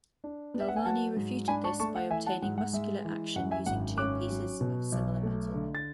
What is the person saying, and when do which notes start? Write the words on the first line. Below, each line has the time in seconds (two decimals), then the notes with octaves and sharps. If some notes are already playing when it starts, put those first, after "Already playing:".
Galvani refuted this by obtaining muscular action using two pieces of similar metal.
0.24 D4
0.54 B3
0.60 E5
0.68 F#5
0.76 G#5
0.85 F#3 F#5 A5
1.17 G#2
1.48 D4 G#5 B5
1.64 A5 C#6
1.80 A3 A5 C#6
1.96 F#5
2.10 E3 E5 G#5
2.26 F#5 A5
2.42 G#2 F#5
2.58 F#5
2.73 G#3 E5
3.05 E3
3.36 F#2 F#5
3.51 E5 G#5
3.66 G#1 F#5
3.98 C#4 D6 F#6
4.30 F#3
4.61 B2
4.92 B1
5.23 A3
5.54 D3
5.75 A6